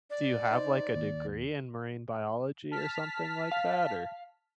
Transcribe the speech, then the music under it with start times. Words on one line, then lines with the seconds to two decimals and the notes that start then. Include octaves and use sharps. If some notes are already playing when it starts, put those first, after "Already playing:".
do you have, like, a degree in marine biology or something like that, or
0.10 D5
0.51 D#4 C5
0.96 D#2
2.71 A5 F6 B6
3.52 F5